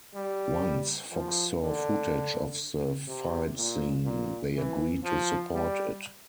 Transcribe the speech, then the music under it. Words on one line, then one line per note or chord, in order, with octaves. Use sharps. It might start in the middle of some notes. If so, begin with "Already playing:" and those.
Once Fox saw footage of the fight scene, they agreed to support it.
G3
F3
D3
C3
A#2
A#2
E3
F3
G3